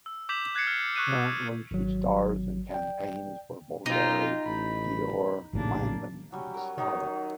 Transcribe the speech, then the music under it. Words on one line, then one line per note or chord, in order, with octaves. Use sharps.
Currently, she stars in campaigns for Bulgari, Dior, Lanvin and Escada.
E6
D6 G6 B6 E7 F#7
F#6 G#6 A6 C7 C#7
F6
C#6 D#6 F#6 B6 D#7 E7
G#1 F#3
D5 G5
B2 D#4 F4 G4
A1 B5
A#1 D#2 A2 C#3 A#3 D4
F#3 G3 C#4
F#3 A#4
D#3 F#3 D#4